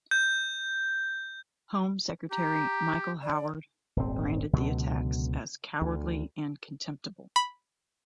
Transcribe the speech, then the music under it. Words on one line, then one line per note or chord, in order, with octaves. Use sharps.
Home Secretary Michael Howard branded the attacks as "cowardly and contemptible".
G6
G4 A#5
D5
D#1 G#1 C4
C#2 B2 D3 F#3
D2
B5